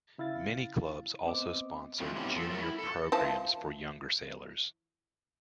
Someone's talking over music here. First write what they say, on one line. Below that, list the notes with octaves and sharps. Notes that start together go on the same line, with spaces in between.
Many clubs also sponsor junior programs for younger sailors.
C#3 E4 F5 A6
B3 C4 C5 D#5 D6
E3 F#3 G#3 A3 C4 F4
A3 B3 C#4 D4 E4 G4
F4 A4
F#3 A3 C4 F#4 A4 A#4
E4
A4
E3 F3 A5